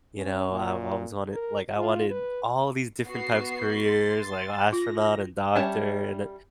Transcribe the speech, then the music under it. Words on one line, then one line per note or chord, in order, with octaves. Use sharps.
you know, I've always wanted like, I wanted all these different types of careers, like astronaut and doctor and a
C#4
A#2
A#4
F4
B4
B3 F#4 C7
C6 A6
F4 A#6
G3 C#4 C#5 E5 A5